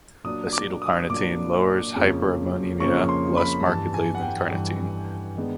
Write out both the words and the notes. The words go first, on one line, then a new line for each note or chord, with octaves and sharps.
Acetyl--carnitine lowers hyperammonemia less markedly than -carnitine.
A#2 F#3 A#3 D4 D#6
D6
D#6
A#2 F#3 A#3 D4 D6
F2 C#3 F3 A#3 C#4
F2 C#3 F3 A#3 C#4 C#6
C6
B5
G2 E3 G3 A5
G#5
F#5
G5
G2 E3 G3
D#3 G#3 B3 D4